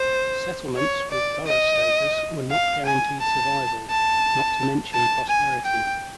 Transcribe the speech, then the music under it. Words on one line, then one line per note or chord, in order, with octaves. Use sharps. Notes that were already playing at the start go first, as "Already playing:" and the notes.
Settlements with borough status were not guaranteed survival, not to mention prosperity.
Already playing: C5
C#5
D5
D#5
F5
G#5
A5
A5
A5
G#5
G5